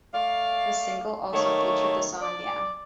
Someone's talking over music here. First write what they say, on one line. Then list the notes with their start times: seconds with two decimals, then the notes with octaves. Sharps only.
The single also featured the song Yeah!
0.14 A3 D5 F5
1.33 D#3 A3 A#3 C#5
2.22 D5